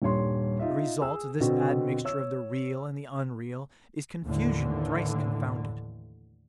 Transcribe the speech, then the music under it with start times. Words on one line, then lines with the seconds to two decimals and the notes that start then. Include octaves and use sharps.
The result of this admixture of the real and the unreal is confusion thrice confounded.
0.02 D#1 G2 C#5 C6
0.60 D#4 F4 D#5 E5
1.02 G#4 E6
1.40 B2 D3 B3 C4 F#4
2.05 C#5 E6
4.24 D#2 A2 D3 E3